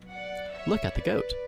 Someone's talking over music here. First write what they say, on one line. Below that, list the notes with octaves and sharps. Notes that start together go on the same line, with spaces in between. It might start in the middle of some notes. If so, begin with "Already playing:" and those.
Look at the goat!
Already playing: B2 F#3
D5 F#5
C#5 E5
B4 D5